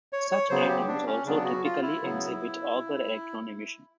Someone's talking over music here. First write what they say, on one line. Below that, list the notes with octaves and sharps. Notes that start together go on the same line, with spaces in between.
Such atoms also typically exhibit Auger electron emission.
C#5
C#5
C#3 F#3 B3 C5
G4
D4
C#4
C#3 F#3 B3 D4
F#4
F4
E4
C#3 F#3 B3